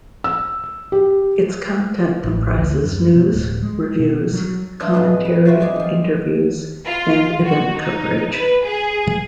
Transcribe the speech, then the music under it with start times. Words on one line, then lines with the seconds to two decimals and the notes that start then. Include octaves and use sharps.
Its content comprises news, reviews, commentary, interviews, and event coverage.
0.24 E6
0.92 G4
2.24 A1
2.57 D2
2.83 F#2
3.15 B2
3.33 D1
3.62 G#3
3.99 B2
4.33 F#3
4.80 E3 F#3 D4 F4
4.93 F2 G#2 B2 D4 B4 D#5
5.25 B4
5.45 C4 E4 F#4 E5 F5
5.60 E2 G3 G#3 D5 D#5 G#5
5.76 D#3 F3
6.86 F4
7.45 F#4
7.78 D#4
8.32 B4
8.64 G#4